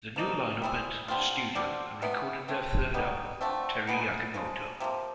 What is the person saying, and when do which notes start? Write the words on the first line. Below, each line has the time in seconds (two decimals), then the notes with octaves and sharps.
The new lineup entered the studio and recorded their third album "Teri Yakimoto".
0.16 F3 A#3 D#4
0.62 G3 C4 E4 G#4
1.08 D3 G3 C4 F4
1.55 D3 G3 C4
2.02 C3 E3 G#3 B3
2.48 A3 C4 F4
2.94 B2 G3 B3 D#4
3.41 D3 F3 A3 C4
3.87 F#3 B3 D#4 G#4
4.34 C#3 F3 G#3
4.80 C3 F3 A#3